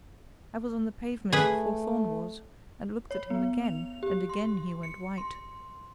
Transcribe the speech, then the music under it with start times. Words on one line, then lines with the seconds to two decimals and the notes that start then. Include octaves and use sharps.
I was on the pavement before Thorn was, and looked at him again, and again he went white.
1.32 A3 G#4 B4
3.11 C#5
3.30 B3
3.64 F7
4.03 G4
4.29 C6
4.83 C#7
5.18 C6